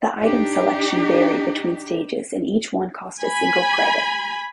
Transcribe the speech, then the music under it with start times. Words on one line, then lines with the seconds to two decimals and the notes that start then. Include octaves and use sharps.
The item selection vary between stages and each one cost a single credit.
0.22 D4 D#4 G4
3.20 G#5 B5